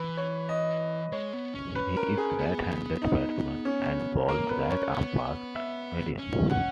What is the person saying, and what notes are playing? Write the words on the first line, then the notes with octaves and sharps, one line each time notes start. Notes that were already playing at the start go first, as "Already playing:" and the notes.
He is a right-handed batsman, and bowls right-arm fast-medium.
Already playing: E3 B4
C#5
D#5
G#3 C#5
B3
C#4
B4
A#4
G#4
B3
D#4
C#4
A#3 A#4
B3 B4
C#4 C#5
B3 C#5
E5
C#4
C#4 F#5